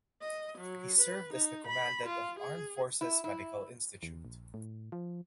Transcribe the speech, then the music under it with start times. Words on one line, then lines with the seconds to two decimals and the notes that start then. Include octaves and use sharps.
He served as the Commandant of Armed Forces Medical Institute.
0.21 D#5
0.58 F#3
1.00 B4
1.33 D#4
1.67 B5
2.06 F4
2.39 G#4
3.01 E4
3.24 E4
4.03 E2
4.25 A#1
4.54 A2
4.92 F3